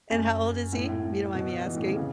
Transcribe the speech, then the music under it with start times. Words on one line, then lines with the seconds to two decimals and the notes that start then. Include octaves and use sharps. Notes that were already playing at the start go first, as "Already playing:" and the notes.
And how old is he? If you don't mind me asking?
0.10 F#2
0.73 A2
0.89 A2
1.03 A2
1.35 B2
1.66 E3
1.76 A2
1.87 C#3
1.97 C#3